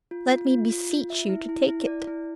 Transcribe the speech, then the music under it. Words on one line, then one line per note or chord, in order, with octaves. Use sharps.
"Let me beseech you to take it."
F4
F4
F4
F4
F4
E5
E4
E4
E4
D5
E4